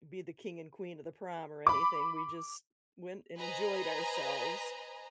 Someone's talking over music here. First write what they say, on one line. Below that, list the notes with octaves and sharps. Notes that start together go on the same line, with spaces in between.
be the king and queen of the prom or anything, we just went and enjoyed ourselves,
B5 D6
B4 C5 D#5 G#5 A#5